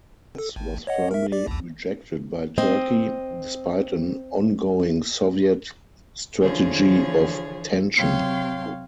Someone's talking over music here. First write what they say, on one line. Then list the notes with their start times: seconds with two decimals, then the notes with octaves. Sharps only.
This was firmly rejected by Turkey, despite an ongoing Soviet "strategy of tension".
0.38 A4
0.56 G#1
0.87 C#5 D#5 F#5
1.11 A#4 E5
1.32 G4 D5
1.47 A#1 D#2
2.58 C4 D#5
6.41 D3 E3 F3 G#4 C#5
7.96 C3 F#3 C#5 F5 G5 C6